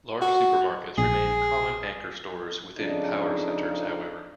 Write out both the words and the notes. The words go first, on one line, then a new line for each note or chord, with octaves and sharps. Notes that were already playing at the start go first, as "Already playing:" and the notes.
Large supermarkets remain common anchor stores within power centers however.
F#4
A#1 G#4
F2 C#3 D4 D#4